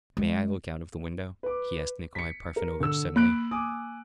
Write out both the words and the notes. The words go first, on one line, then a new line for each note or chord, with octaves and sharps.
"May I look out of the window?" he asked Nikolay Parfenovitch, suddenly.
G#3
B4 D6
B6 C#7
A#4
D3 E6
A#3 B5 F#6 D7
G#5 D6 D#6